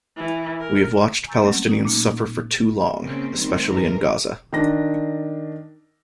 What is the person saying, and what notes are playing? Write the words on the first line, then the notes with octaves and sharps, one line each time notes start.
We have watched Palestinians suffer for too long, especially in Gaza.
E3
A#4
G#5 A#5 C#6 E6 G6 A6
F#3 G3 A3 A#3 C4 C#4
A#3 C#4 D#4
A#2 A3 A#3 D#4 F4
C#3 A#3 C4 C#4
D#3 G3 A3 C4
G2 E3 G#3 A#4
D#3 D4 A#6